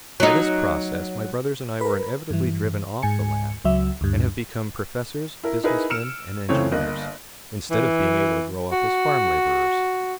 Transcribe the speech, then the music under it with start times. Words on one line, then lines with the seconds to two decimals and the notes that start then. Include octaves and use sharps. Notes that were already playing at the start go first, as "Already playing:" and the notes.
By this process my brothers and I were inevitably driven off the land, and have become professors, business men, and engineers, instead of being able to grow up as farm labourers.
0.20 F#3 D#4
1.81 A#4 B4
2.30 G2 E3
3.03 G#2 G#5 C#7
3.65 C#2 F#3 E5
4.01 D2 G2
5.44 E4 A#4
5.64 D#4 E4 G#4 A#4 B4
5.90 E6 F6 C#7 D7 E7
6.49 C#2 C#3 E3 A3 C4 C#5
6.72 G1 A#3 D#5 F#6
7.71 E3
8.72 F#4